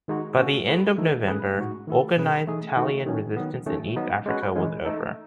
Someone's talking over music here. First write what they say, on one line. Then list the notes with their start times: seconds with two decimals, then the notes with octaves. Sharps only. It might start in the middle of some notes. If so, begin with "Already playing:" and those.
By the end of November, organized Italian resistance in East Africa was over.
0.08 D#3 G#3 D#4 F#4
0.38 A3 C#4 F#4 A4
0.68 A3 E4 G#4 B4
0.98 D#3 A3 D#4 A4
1.28 F#3 A3 C#4 G#4 B4
1.57 A2 G#3 D#4 F#4
1.87 D#3 A3 E4 A4
2.17 B2 F#3 C#4 G#4 B4
2.47 E3 A3 D#4 G#4
2.76 D#3 A3 D#4 F#4
3.06 D#3 F#3 C#4
3.36 D#3 F#3 B3
3.66 D#3 A3 C#4
3.96 F#3 B3 D#4
4.26 G#3 C#4 F#4 B4
4.56 E3 G#3 C#4
4.85 A3 D#4 A4